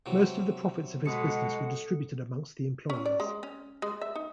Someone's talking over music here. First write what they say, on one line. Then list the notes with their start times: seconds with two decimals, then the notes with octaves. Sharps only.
Most of the profits of his business were distributed amongst the employees.
0.06 C3 E3 F#3
1.06 B2 G#3 A4 F#5 D#6 C#7
2.90 C#4
3.06 D5
3.20 G#3
3.43 C#4
3.82 G#3
4.01 E5
4.15 D#4